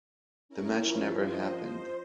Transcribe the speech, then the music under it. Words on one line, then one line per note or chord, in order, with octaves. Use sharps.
The match never happened.
C#4 E4 A#4
F3
C5 D#5
C5